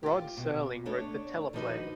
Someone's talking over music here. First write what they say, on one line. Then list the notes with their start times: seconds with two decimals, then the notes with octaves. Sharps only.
Rod Serling wrote the teleplay.
0.03 F4 G4
0.37 B2
0.86 A3 D4 C#5
1.53 D#3 F3 D4 D#4 F#4 B4